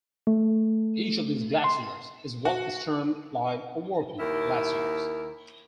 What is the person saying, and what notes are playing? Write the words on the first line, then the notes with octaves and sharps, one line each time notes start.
Each of these glaciers is what is termed 'live' or 'working' glaciers.
A3
C6
F#4
D#2 E4 A#4